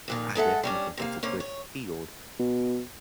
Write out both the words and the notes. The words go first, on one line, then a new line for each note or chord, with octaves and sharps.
I definitely think that's a good field.
F2 A#2 D#3
G#3 A4 E5 F#5
G3 C#4 D4
C3 A#3 F5
C3 A#3 C#4
C#5
B2